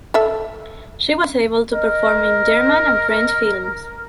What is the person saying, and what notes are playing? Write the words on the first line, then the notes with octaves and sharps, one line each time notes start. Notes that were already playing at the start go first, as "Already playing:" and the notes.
She was able to perform in German and French films.
A4 E5
A#4 D#5